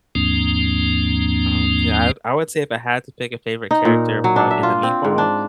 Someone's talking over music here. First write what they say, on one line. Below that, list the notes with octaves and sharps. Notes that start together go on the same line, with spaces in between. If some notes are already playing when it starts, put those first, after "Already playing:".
um, you know, I I would say if I had to pick a favorite character, it'd probably be the meatball,
D#2 G#2 F3 A#3 C4 D4
D#4
A#2
F#3
D4
E5
F4
C4
G#2
D4